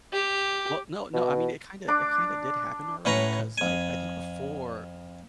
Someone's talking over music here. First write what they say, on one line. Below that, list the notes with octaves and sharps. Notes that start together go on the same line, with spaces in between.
Well, no, no, I mean, it kinda it kinda did happen already, 'cause like, I think before
G4
B2
D4 D6
A2 C#4 B4 F#5 A#5
F2 G#5